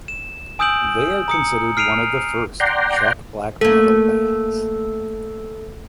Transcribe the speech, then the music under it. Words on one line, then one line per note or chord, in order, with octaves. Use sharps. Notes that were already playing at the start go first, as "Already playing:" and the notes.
They are considered one of the first Czech black metal bands.
E7
G#5 D#6 E6 G6 D7 F#7
A#5 D#6 C#7
F6 C7 D7 D#7 F7
D5 F#5 G5 A#5 C6
A3 A#3 A4